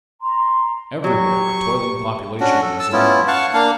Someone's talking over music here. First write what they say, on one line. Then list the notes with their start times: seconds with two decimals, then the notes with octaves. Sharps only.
Everywhere a toiling population was in evidence.
0.21 A#5 C6
1.04 F#3 G4 C#6
2.40 C#4 D4 F#4
2.62 A4
2.79 A5 E6
2.92 B3 C#4 E4 F4
3.27 F5 F#5 A5 C#6
3.53 A#3 D4 F5